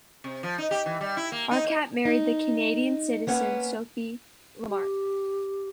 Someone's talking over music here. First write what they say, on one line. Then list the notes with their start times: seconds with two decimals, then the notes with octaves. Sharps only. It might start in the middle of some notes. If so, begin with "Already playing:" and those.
Harkat married the Canadian citizen Sophie Lamarche.
0.24 C3
0.43 F3
0.58 D#4
0.71 G4
0.86 E3
1.01 G3
1.17 E4
1.32 A#3
1.51 D#4
1.64 A#3
2.05 D#4
3.27 A#3 B3 C#4 B4 F#5
4.70 G4